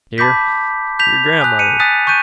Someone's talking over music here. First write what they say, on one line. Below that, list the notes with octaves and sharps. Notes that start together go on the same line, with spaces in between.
"Dear," your grandmother.
A5 B5 D6 G6 B6
G6 B6 F7
G#5 D#6 F#6
C#7 D#7
G#5 D#6 F#6 A6 B6
C#6 F#6 G6 D#7